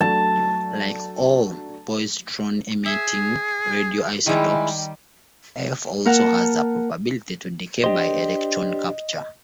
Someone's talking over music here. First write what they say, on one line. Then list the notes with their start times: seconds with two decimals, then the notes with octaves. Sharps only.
Like all positron-emitting radioisotopes, F also has a probability to decay by electron capture.
0.01 F#3 A3 D4 A5
2.86 G#4 E5
4.26 D#3 G3 G#3 E4
6.05 A#3 A#4 F#5 A5
7.84 D4 G4 C5 D#5